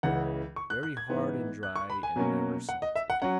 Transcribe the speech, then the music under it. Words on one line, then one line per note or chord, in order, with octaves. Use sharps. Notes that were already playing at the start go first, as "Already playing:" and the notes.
Very hard and dry and never salted.
C#2 C#3 E3 F#5
C#6
F#6
F#6
G#6
G#2 E3 B3
F#6
C#6
B5
G#5
B2 F#3 A#3 C#4
F#5
D#5
E5
F#5
F#3 C#4 F#5